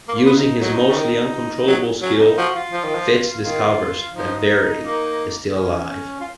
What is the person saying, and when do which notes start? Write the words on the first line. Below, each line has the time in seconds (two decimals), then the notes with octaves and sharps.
Using his mostly uncontrollable Skill, Fitz discovers that Verity is still alive.
0.08 A#3
0.13 F4
0.26 B3
0.37 D#4
0.61 F#3 D#4
0.89 C#3
0.96 D#3
1.67 F#3
2.02 F#3 C#4
2.19 D#4
2.37 F3 F#4
2.55 F4
2.73 F3
2.84 D#3
2.95 F3
3.43 D#3 F4
4.14 F3 D#4
4.84 A#3
5.55 C#4
6.21 F4